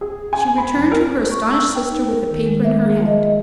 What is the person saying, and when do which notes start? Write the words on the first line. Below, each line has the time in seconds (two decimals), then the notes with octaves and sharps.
She returned to her astonished sister with the paper in her hand.
0.01 G#4
0.33 G#5
0.58 B5
0.76 F2
0.92 A#4
1.31 C#6
1.54 E6
1.75 G5
1.90 D#4
2.08 A#4
2.31 D#3
2.46 G#3
2.64 E5
2.85 G#4
3.06 D#5
3.25 D#5